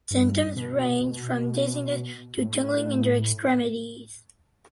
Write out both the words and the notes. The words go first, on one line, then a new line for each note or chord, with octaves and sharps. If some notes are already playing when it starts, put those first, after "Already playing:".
Symptoms ranged from dizziness to tingling in their extremities.
G2
B2
B2
A2